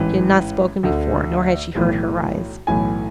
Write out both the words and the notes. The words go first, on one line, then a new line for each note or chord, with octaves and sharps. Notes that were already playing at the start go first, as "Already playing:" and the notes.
She had not spoken before, nor had he heard her rise.
Already playing: A1 G#2 E3
D2 D3
B1 A2 E3
B1 A2 E3 G#5